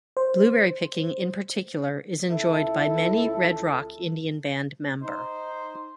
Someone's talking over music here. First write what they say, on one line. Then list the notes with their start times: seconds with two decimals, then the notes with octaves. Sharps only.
Blueberry picking in particular is enjoyed by many Red Rock Indian Band member.
0.17 C5
2.31 C#2 E4 A4
5.02 D#4 C5